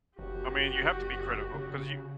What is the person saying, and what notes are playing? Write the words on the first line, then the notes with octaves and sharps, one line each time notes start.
I mean, you have to be critical, 'cause you
F#1 F#4 G4
C#3